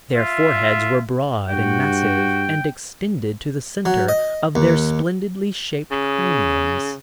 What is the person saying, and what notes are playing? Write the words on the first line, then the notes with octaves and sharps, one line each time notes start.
Their foreheads were broad and massive and extended to the center of their splendidly shaped craniums.
F4 E5
G2 F#4 G5
F#3
D#5
D#2
C#3